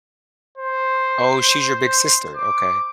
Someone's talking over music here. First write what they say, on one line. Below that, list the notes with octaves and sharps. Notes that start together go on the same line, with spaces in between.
Oh, she's your big sister, okay.
C5
D6